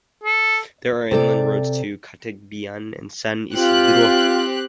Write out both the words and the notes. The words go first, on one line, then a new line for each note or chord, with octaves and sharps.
There are inland roads to Catigbian and San Isidro.
A4
C3 A4 D5
C4 F4 G4 F#6